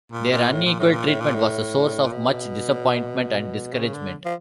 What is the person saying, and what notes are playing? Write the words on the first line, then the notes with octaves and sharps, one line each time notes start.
Their unequal treatment was a source of much disappointment and discouragement.
A#2
A#2
A2
A#2
A2
A#2
A2
A#2
A2
A#2
B2
C#3
D3
F3